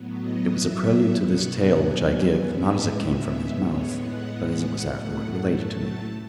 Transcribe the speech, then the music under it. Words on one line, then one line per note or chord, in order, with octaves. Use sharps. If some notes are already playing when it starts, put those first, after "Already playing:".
It was a prelude to this tale which I give, not as it came from his mouth, but as it was afterward related to me.
Already playing: A2 F#3 B3
D#5
E5
B2 F#3 B3 F#5
G#5
A2 G#3 B3 E5
E5
A2 G#3 B3 C#5
F#5
A2 F#3 A3 F#5
A5